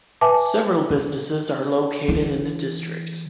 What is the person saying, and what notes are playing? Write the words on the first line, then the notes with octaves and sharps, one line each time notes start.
Several businesses are located in the district.
B4 E5 G#5 A5 D6
E3